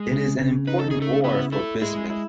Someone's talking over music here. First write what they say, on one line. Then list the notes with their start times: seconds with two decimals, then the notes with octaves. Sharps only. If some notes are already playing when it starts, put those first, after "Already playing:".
It is an important ore for bismuth.
Already playing: G#3 G#4
0.11 C#3
0.39 C#3
0.67 D#4 B4
0.79 A4
0.91 C#3 G#4
1.02 A3 A4
1.24 B3 E4 B4
1.52 A3 E4 A4
1.82 G#3 E4 G#4
2.10 E4